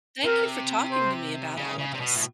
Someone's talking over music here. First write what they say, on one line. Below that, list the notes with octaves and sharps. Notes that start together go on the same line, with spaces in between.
Thank you for talking to me about all of this.
C3 A#4
C5
C#3
C#3
C3
B2
A2